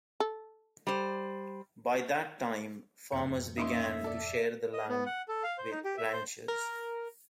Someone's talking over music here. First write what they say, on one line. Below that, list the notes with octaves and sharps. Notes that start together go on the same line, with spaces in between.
By that time, farmers began to share the land with ranchers.
A4
G3 C5
F#1 F2 G#2 B2 C#7
A#3 C#4 D#4 E5 C6 C#6 D#6
A4 D5
D#5
B3
F#5
A4
F5
C5
D#4
G4
E5
C5
A#4